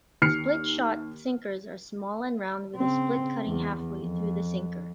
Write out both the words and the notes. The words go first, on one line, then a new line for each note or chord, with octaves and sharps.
Split-shot sinkers are small and round with a split cutting halfway through the sinker.
D#2 F6 C7 C#7
C#3 C4
E2
F2